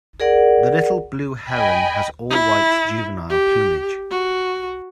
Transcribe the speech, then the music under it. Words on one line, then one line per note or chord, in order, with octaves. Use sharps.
The little blue heron has all-white juvenile plumage.
G#4 A#4 D5 F#5
D#5 G5 G#5 B5
E4
G4
F#4